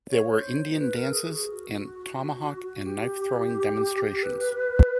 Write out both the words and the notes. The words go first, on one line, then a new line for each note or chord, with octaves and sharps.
There were Indian dances and tomahawk and knife-throwing demonstrations.
C#5
C5
B4
A#4
G#4
F#4
G4
B4